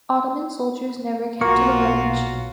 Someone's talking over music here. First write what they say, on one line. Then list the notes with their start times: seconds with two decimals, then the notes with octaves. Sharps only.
Ottoman soldiers never came to the village.
1.41 B1 A#3 F4 F#4 C#6